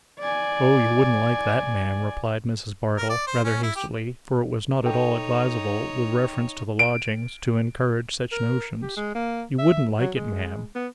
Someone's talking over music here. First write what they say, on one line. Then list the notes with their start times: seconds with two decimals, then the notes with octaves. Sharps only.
'Oh, you wouldn't like that, ma'am,' replied Mrs. Bardell, rather hastily; for it was not at all advisable, with reference to the lodgings, to encourage such notions; 'you wouldn't like it, ma'am.'
0.19 D5 G#5
2.98 A#4
3.10 D5
3.28 C5
3.45 C#4
3.63 E4
3.76 G4
4.83 D#4 A4 C#5 G5
6.79 D7
8.32 A#4
8.82 G4
8.97 G#3
9.15 A#3
9.59 E5
9.99 F#3
10.16 G#3
10.75 B3